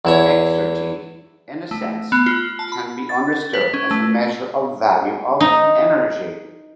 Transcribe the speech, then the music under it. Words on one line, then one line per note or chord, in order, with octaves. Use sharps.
Exergy in a sense can be understood as a measure of value of energy.
E2 E4 C#5
A3
B3
F4
A5
B5
A6
B4
C#4
A3
D#4